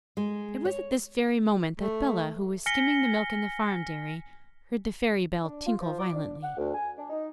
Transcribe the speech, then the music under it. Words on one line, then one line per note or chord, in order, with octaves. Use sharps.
It was at this very moment that Bellah, who was skimming the milk in the farm dairy, heard the fairy bell tinkle violently.
G#3
C#5
A3
G#5 F6 A#6 B6 C#7 G7
D4
F4
F3
D6
D4
F#5
D2
G#5
D4
D#4